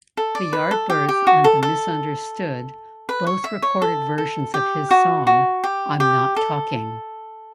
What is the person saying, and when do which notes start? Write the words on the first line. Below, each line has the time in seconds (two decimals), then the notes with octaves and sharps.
The Yardbirds and the Misunderstood both recorded versions of his song "I'm Not Talking".
0.17 A4
0.35 D5
0.53 B4
0.71 A4
0.90 G4
1.09 G4
1.27 F#4
1.44 A4
1.63 A4
3.09 B4
3.27 C#5
3.44 E5
3.62 C#5
3.82 A4
4.18 A4
4.54 G4
4.91 F#4
5.27 F#4
5.64 G4
6.00 G4
6.36 A4